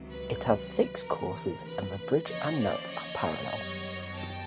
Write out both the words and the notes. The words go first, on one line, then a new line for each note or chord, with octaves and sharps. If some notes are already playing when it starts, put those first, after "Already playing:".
It has six courses and the bridge and nut are parallel.
Already playing: C#2 C3 D#3 F#3
B4
D2 C3 E3 A#4
B4
D#2 C#3 F3 C#5 D#5
C5 D5
C#5 D#5
F#2 D#3 G3 B3
G5 A5